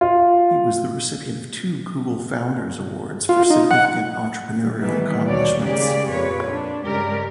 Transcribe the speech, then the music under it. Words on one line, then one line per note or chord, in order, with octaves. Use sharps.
He was the recipient of two Google Founders' Awards for significant entrepreneurial accomplishments.
F4
F4
D#4
F#5
D#3 E3 G3 B3
D#2 B2 C#5 D5
C#3 G#3 A#3 G4 G#4 D5
F2 A#2 B4 C#5
D4
G2 C#3 G#3 G4 A#4 D5